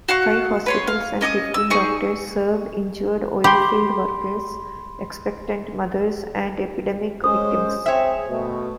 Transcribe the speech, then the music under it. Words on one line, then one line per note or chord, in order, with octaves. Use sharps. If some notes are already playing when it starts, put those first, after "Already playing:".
Five hospitals and fifteen doctors served injured oilfield workers, expectant mothers, and epidemic victims.
F#4 F5 F#5 C#6
B4 C#5 C6
F5
C#4 D#5 D6 D#6
E6
D#4 G#4 C#6
G4 B5 C6
G#3 C#4 C5 D#6
C4 G#4 C#5 E5
B2 A3